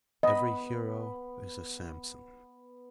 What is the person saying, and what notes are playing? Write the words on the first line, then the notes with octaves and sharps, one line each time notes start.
Every hero is a Samson.
B3 D#5 B5